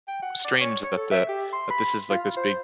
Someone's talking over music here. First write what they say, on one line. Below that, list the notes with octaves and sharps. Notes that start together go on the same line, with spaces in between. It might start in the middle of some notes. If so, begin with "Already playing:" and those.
strange that the that this is, like, this big,
G5
F#5
D5
C#5
C#5
A4
E5
G4
C6
B5
F4
C5